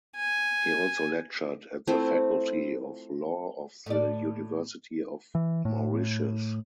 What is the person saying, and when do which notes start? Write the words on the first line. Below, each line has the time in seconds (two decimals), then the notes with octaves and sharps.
He also lectured at the Faculty of Law of the University of Mauritius.
0.16 G#5
1.87 A3 C4 E4 F4
3.86 A2 D5
5.35 E3
5.65 A2